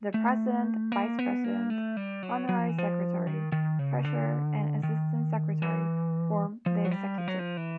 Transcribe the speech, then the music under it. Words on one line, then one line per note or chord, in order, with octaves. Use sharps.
The President, Vice-President, Honorary Secretary, Treasurer and Assistant Secretary form the Executive.
A3
A#3
B3
A#3
A3
G3
F#3
F#3
F3
E3
F3
D#3
D#3
C#3
D3
D#3
E3
F3
F#3
G3
F3
F#3
F3
E3